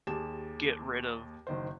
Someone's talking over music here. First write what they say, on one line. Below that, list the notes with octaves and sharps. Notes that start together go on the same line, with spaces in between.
get rid of
D#2 G4 G#4 A5 E7
F#1 D#3 C5